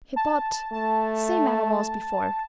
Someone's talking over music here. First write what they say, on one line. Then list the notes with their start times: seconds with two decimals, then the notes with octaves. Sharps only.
Hippot--same animal as before.
0.16 A5
0.73 A3 A5